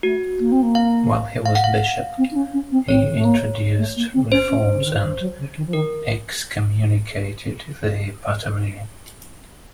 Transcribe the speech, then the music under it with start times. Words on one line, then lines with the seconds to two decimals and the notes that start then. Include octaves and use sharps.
While he was bishop, he introduced reforms and excommunicated the Patarini.
0.03 A3 F#4
0.39 A#3
0.51 C4
0.62 A#3
0.75 F5
1.46 F5
1.55 F#5
1.64 F5
2.17 C4
2.31 D#4
2.35 C#4
2.52 C#4
2.71 C4
2.88 C4 C#5
3.14 A3
3.24 A#3
3.78 A3
3.96 A#3
4.13 C4
4.31 C#4 C5
4.49 C#4
4.74 C#3
4.85 D#3
5.02 D#3
5.20 F#3
5.38 C#3
5.56 D#3
5.66 F3
5.73 D#3 A#4